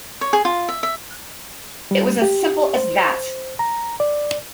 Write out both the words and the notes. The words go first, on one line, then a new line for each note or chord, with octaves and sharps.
It was as simple as that!
C#5
G#4
F4
E5
E5
G3
G4
C5
A#5
D5